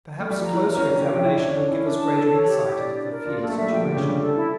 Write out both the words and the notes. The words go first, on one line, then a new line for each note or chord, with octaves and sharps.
Perhaps closer examination will give us greater insight into the fear situation.
A3
G3
F3 A#5
E3
A#4
E3
C#4 A#5
D4 G4
C#4
G5
F3
E4 C#5
D4 C#5
C#4
C#5
D4
C#4 E4
D4
A5
A4
C#5
G4
G4
D4 D5
D5
A#4
D4 F4
A#3
A4
A3
G3 E5
F3 G5
D3
G4
C#3
G3 G4
A4
E4